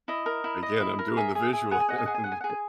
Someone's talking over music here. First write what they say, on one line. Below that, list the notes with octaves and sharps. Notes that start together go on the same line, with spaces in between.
again, I'm doing the visual, and
E4 D#5
A#4
E4
D#5
E4
A#4
G#4 E5
G#4
G#4
G#4 F#5
G#5
D#5 F#5
G#5
G#4 F#5
G#5
G#4 F#5
G#5
G#4 F#5
G#5